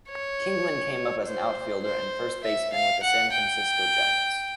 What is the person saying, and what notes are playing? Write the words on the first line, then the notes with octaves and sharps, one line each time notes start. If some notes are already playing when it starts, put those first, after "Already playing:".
Kingman came up as an outfielder and first baseman with the San Francisco Giants.
C#5
C5
C5
E5
F5
F#5
G5